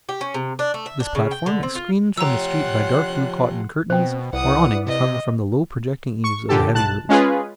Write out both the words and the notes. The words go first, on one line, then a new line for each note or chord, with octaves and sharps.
This platform is screened from the street by dark blue cotton curtains or awnings hung from the low projecting eaves of the heavy roof.
G4
C#4
C3
D4
A3
E5
D4
C#3
G5
D3
C4
F4
F3 G4 C#5 F#5 A#5 C6 E6 F#6
B2 C4 C5 G5
C2 E4 B4 D5 F#5 D#6
C3 D#5
C#6
A#2 D3 G4 A4
B1 A5 F#6
G#3 C#4 F4 G#4 B4